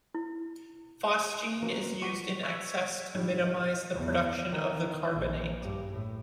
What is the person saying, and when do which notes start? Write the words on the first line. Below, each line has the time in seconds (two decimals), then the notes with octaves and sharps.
Phosgene is used in excess to minimise the production of the carbonate.
0.15 E4
1.62 F3 A#3 B3 C#4 F#4 A#4
2.01 F3 F#5 C#6 D6 B6 C#7
2.43 C#6 E6 F#6 G#6 B6 C#7
3.14 A2 D#3 G3
3.40 A#1 D#5
3.94 E2
4.50 D#3
5.14 A#1
5.60 G2
5.91 A2